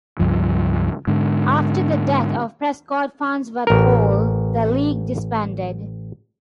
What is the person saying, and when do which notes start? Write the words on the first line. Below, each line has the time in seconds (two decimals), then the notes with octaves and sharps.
After the death of Prescott Farnsworth Hall, the League disbanded.
0.19 C#2 G2 F3
1.07 G#2 D3
3.67 A1 A#4